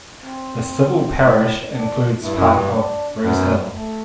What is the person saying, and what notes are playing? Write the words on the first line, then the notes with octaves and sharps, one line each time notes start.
The civil parish includes part of Rose Hill.
C4
G2
A2
D4
G2 E4
F#2
G2
D4
F#2 B3
A3